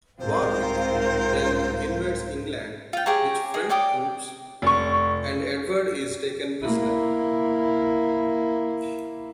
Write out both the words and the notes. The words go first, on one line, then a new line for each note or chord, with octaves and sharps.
Warwick then invades England with French troops, and Edward is taken prisoner.
C2 G#2 C4 F4 A#4 C5
F4 G5
G4 G#4 C#5 A#5
G#4 D#5
C#5 D5 G5 D#6
F1 C#6
A#3 E4